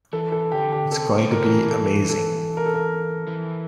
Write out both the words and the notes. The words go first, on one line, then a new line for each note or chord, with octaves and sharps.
It's going to be amazing.
E3 A4
A4
D3 G4
G4
C3 A4
D3
A#4
E3 A#4
A4
A4
A#4
A4
A#4
E3